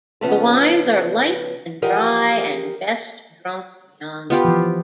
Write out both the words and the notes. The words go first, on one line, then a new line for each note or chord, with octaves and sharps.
The wines are light and dry and best drunk young.
C#3 F3 B3 C#4 E5 A5
E3 F3 G4 A#4 D#5 F#5
B3 F4 G4
E3 F3